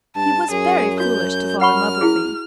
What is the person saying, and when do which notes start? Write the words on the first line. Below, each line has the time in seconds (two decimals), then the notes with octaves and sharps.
He was very foolish to fall in love with me.
0.16 G2 A5
0.51 F#2 G#4
1.00 F#4 G6
1.61 F#5 B5 C#6 F6
2.01 E4 F#4 G#4